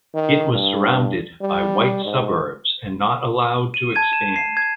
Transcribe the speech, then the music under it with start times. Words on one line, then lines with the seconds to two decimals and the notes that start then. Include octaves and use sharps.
It was surrounded by white suburbs and not allowed to expand.
0.14 D#3
0.52 G2
1.41 G3
2.05 G#2
3.74 D#7
3.95 A5 G#6 D#7
4.13 E7
4.36 C7
4.57 G#6